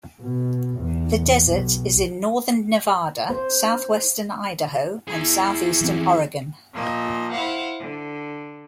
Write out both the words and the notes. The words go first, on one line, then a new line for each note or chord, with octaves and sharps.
The desert is in northern Nevada, southwestern Idaho and southeastern Oregon.
B2
E2
B1
C5
E4 G#4
E3 F3 C4
A#2 F3 A#3 D#5
E4 C5 F5 F#5
D3